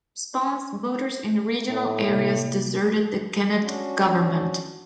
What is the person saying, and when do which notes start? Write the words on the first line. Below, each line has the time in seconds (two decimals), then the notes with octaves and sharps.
In response, voters in regional areas deserted the Kennett government.
1.70 A2 A#3
2.08 C3 A#3
3.61 C#4 D4 F#4